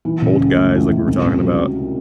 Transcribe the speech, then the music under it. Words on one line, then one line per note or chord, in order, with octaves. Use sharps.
old guys, like, we were talking about.
E3
C#3
C#2
A3
E3
C#2
C2
C2
F#3